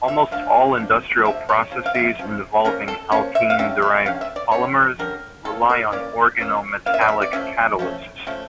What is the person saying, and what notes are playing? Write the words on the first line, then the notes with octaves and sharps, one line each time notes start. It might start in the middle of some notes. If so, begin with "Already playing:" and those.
Almost all industrial processes involving alkene-derived polymers rely on organometallic catalysts.
E5
D3 F3 A3 D4 F5
D3 F3 A3 D4
D3 F3 A3 D4 E5
C#5
C#3 F3
F5
E5
C#3 F3 C#4
C#3 F3 A#3 C#4 A#4
A4
C#3 F3 A#3 C#4 C#5
E5
F5
D3 G3 C#4 E5
E5
D3 G3 C#4 F5
E5
D5
D3 G3 C#4 C#5
D3 G3 C#4 A#4
C#3 E3 A#3 C#4 A4
A#4
C#3 E3 A#3 C#4 D5
C#3 E3 A#3 C#4
C#3 E3 A#3 F5
E5
D5
E5
D5
F3 A3 C#4 E5
F3 A3 C#4
F3 A3 C#4